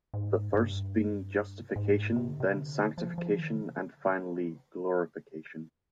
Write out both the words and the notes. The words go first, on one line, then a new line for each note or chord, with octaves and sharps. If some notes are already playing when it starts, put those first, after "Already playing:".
The first being justification, then sanctification, and finally glorification.
G#2
G2
G#2
C3
D3
C3
D3
F3
F3
D#3
D3